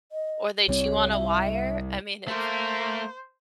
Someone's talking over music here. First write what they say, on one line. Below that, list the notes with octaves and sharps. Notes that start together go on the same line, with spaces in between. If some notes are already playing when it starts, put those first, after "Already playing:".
or they chew on a wire. I mean, it's
D#5
C2 G3 C4 C#5
E5
A3 A#3 C5